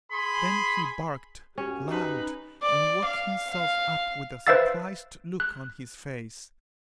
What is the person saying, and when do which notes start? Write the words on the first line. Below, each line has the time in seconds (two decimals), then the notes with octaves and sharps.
Then he barked, loud, and woke himself up with a surprised look on his face.
0.12 G#4 B5 C6
1.58 F#2 C#4 F#4 G4
1.87 D#4 B4
2.63 D5
3.05 F5
3.51 F5
4.47 B4 C5 E5 F5 E6 A6
5.40 F#6